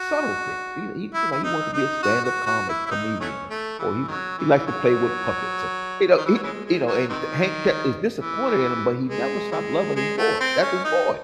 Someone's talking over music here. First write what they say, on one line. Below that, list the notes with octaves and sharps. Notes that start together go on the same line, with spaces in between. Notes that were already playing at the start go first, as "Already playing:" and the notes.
subtle things, he li he, you know, he wants to be a stand up comedy comedian, or he w he likes to play with puppets, uh you know, he you know, and th Hank ke is disappointed in him, but he never stopped loving his boy, that's his boy!
Already playing: F#4
E4
E4
D#4
D#4
F#4
F#4
F#4
E4
E4
D#4
F#3 A3 C#4
A3
E3
D#3 F#3
E3
F#3
D#3
E3
F#3
C#3 E3 G#3
G#3
F#3
C3 D#3
E3
G#3
C#3 E3 G#3
G#3
A3
C4
C#4
D#4